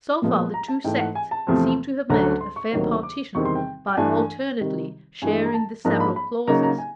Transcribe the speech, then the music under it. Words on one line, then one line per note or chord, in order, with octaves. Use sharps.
So far the two sects seem to have made a fair partition by alternately sharing the several clauses.
A#2 F3 G#3 B3
A#5
A5
G#2 E3 A3 G5
F#5
G#5
A5
E2 C3 F3 A3 C4
D2 D3 F#3 A3 C#4 A#5
C6
C#6
D2 C3 D#3 F#3 A#3
D6
E2 C3 D#3 G3 C4 C#6
C6
G5
G5
G2 E3 A3 D4 G#5
C3 D#3 G3
G2 E3 G#3 G#5
A#5
A5
G#2 F3 A#3 D4 A#5
B5
B5
C#3 F#3 A#3 D#4 A#5
A#5
G#5